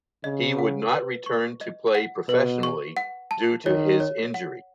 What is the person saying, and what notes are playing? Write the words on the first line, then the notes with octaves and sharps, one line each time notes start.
He would not return to play professionally due to his injury.
C#3 D#5
F#5
B4
C#6
D#5
F#5
B2 B4
C#6
F#5
A5
D#3 C#5
C#5
F#5